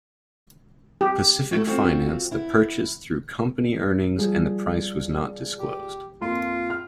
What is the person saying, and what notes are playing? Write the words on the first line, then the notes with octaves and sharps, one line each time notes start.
Pacific financed the purchase through company earnings and the price was not disclosed.
G4
A3 E4 F#4
C4 F4 F#4
B3 E4
F3 G3 G#4
G4
F2 A#3 F4 C6
F6